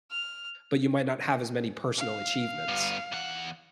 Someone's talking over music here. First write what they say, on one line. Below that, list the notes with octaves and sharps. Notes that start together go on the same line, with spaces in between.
but you might not have as many personal achievements,
F6
F5
G2 B3
E2 F#5